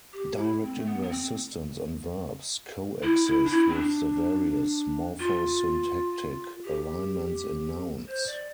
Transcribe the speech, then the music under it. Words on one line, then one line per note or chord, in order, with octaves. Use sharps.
Direct-inverse systems on verbs coexist with the various morphosyntactic alignments in nouns.
G4
E4
C4
A3
B3
B3
C4
E4
E4
D4
E4
C4
D4
F4
G4
C5
D5